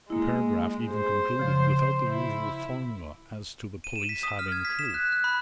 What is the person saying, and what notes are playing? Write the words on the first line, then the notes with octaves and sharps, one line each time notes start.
The paragraph even concluded without the usual formula as to the police having a clew.
G#3 A#3 E4
G#4 C5
C#3 F3
E4
D#7
E7
B6
D#6
F6
G#6
B6
E7
F#6
F#6
B5